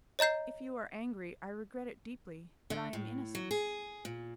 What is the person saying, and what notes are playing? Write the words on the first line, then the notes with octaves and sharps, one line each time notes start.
"If you are angry, I regret it deeply, but I am innocent."
C#5 D#5 A#5 G6 C7
D3
A2
F#3
G#4
A#2